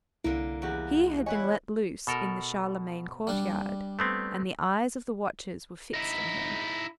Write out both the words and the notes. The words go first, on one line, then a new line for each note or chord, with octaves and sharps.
He had been let loose in the Charlemagne courtyard, and the eyes of the watchers were fixed on him.
C2 D3 A#3 E4
E2 F#4 G4
E4 B4 C#5 D#5 G#5
B2 A4 A#4
G3 D4
A3 B3 C4
D#4 E4